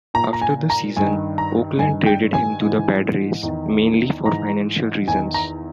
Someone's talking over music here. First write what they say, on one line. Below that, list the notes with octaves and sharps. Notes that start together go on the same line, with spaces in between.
After the season, Oakland traded him to the Padres, mainly for financial reasons.
A#2 A#5
A#5
G#5
A#5
G2 D#3 G#5
A#5
G2 D#3 G#5
G5
G#5
G#2 E3
E2 D#3
G#2 E3 A#5
E2 D#3 G#5
A#5